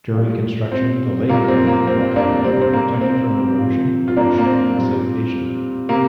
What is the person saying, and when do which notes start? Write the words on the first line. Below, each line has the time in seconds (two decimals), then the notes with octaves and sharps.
During construction, the lake bed and waterway were protected from erosion, pollution and siltation.
0.14 A#2 G3
0.72 C4
1.29 A#2 G3 A#3
1.48 C4
1.67 A#3
1.87 C4
2.16 A#3 D4
2.44 C3 G3 C4
2.61 C4
2.73 A#3
3.01 C4
3.59 A#2 F3
4.08 F4
4.17 A#3 D4
4.38 A#3
4.46 C4
4.74 A#2 G3
5.89 C3 A#3